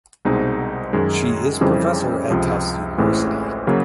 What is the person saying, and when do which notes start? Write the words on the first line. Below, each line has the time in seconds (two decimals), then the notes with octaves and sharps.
She is professor at Tufts University.
0.25 C2 B2 G#3 C4 D#4
0.93 F#2 D#3 G#3
1.61 F2 C#3 E3 G3 C4
2.30 C#2 C3 F3
2.98 A1 A2 E3 G#3 C4
3.67 C#3 F#3 A#3